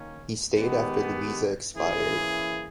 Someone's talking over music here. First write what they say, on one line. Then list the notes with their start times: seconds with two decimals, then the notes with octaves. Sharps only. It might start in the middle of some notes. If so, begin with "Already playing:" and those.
He stayed after the visa expired.
Already playing: D#3 A#3 C#4
0.53 D#3 G#3 B3 G4
1.74 E3 A#3 C#4 E4 G#4